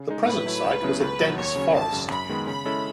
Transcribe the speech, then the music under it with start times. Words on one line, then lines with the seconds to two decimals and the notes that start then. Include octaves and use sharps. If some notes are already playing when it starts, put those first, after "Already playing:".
The present site was a dense forest.
Already playing: C#3
0.08 G#3 D#4
0.27 A2 B4
0.45 F#3 A3 E4
0.65 C#2
0.82 C#3 F#3 B3 E4
1.00 C#2 B4
1.19 B2 F#3
1.38 D#2 C#5
1.56 C#3 F#3 C#4
1.74 G#1 A5
1.92 F#2 C#3
2.11 F#2 B5
2.29 D#3 G#3 B3
2.47 C#3 B5
2.65 G#3 C#4 E4 A4